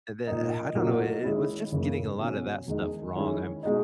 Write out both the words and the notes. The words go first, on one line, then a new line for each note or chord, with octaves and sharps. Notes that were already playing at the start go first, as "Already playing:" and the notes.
and then uh, I don't know, it it was just getting a lot of that stuff wrong, um,
A#2 A#3 D#4
A#2 F#3 A#3 D#4
D#3 G#3 C#4 E4
F#2 C#3 E3 A#3
B2 F#3 C#4
E2 D#3 G#3 D#4
D#3 G#3 C#4 E4
B2 G#3 D#4